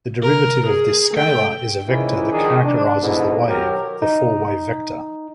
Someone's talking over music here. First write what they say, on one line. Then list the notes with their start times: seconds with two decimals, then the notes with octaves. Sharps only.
The derivative of this scalar is a vector that characterizes the wave, the four-wavevector.
0.23 A#4
0.66 G#4
1.13 A3 G5
1.87 C#2 G#2 D#3 E3 E4
2.32 D#3 F3 D4 G#4
2.64 D4
3.01 G#2 B2 D3 D#4 E4
3.48 B1 D#3 F#3 G4 A#4
4.02 D#4